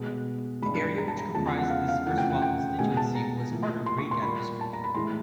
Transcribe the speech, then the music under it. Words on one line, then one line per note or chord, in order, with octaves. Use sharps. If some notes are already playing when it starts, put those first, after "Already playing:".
The area which comprised this erstwhile constituency was part of Raigad district.
Already playing: B2 G#3
G2 E3 G#3 B5
A#5
A5
A#5
E2 C#3 F3 G#3 A5
G#5
F#5
F5
F5
F2 C#3 E3 A3 F#5
G5
F#5
G5
B2 G#3 G#5
A5
A#5
A2 F3 A#3
C6
C#6
C6
A#2 G3 A#3 B5
A5
A#5
B5
A2 E3 G#3 C6